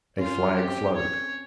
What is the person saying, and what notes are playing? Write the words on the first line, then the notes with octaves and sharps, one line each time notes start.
A flag fluttered.
C#4 F4
C4 G4
C#5